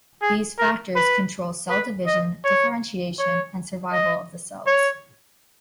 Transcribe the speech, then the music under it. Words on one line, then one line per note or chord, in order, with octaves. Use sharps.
These factors control cell division, differentiation, and survival of the cells.
G#4
A#4
B4
B4
D#5
C#5
C#5
D#5
C#5